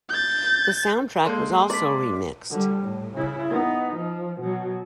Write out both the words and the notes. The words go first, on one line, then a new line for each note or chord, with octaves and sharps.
The soundtrack was also remixed.
G6 A6
G#3 A#3 A4 C6 G6
D5 C6 B6
D3 G3
A2
C#3 E4
B3 D#4
F3
B2 F#3